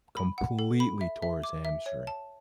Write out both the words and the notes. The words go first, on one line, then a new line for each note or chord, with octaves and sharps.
completely tore his hamstring.
B5
F#5
A4
B5
E5
E5
D6
E5
C#5
A5